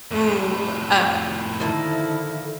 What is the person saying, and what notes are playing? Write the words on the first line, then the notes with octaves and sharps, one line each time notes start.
Ooh, uh,
F2 A2
D3 D#3 F3 A#3 E4 A4